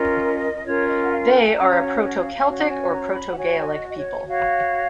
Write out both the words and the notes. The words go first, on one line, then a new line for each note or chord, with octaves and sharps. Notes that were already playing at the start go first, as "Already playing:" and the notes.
They are a proto-Celtic or proto-Gaelic people.
Already playing: C#4 F4 A#4 D#5
C#4 F4 A#4 C#5
D#5
F#5
F5
G#5
C#4 F#4 C#5 A#5
F5
F#5
F5
C#4 F#4 C#5
F#5
G#5
A#5
B5
F#5
F#4 C#5 G#5
C#5
D#5
D#5
C#5
F#4 C#5 F5